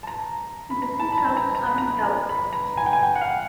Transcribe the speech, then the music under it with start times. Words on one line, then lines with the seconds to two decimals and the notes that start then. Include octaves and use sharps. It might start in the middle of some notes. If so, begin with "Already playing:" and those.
This is of some doubt.
0.03 A5
0.07 A#5
0.70 B5
0.82 A#5
1.00 A5
1.12 B5
1.18 A#5
1.37 A#5
1.55 A#5
1.67 B5
1.78 A#5
2.29 B5
2.53 A#5
2.77 G#5
2.86 G5
2.93 G#5
3.03 G5
3.16 F#5
3.21 F5